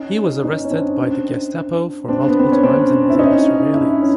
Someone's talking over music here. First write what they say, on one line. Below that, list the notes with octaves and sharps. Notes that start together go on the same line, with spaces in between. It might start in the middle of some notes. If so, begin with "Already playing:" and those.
He was arrested by the Gestapo for multiple times and was under surveillance.
Already playing: C#4 D#4
C#4 D#4
C#4
C4 D4
C4 D4
B3
C4
C#4
C4 D4
E4
C#4 D#4
D4 E4
C#4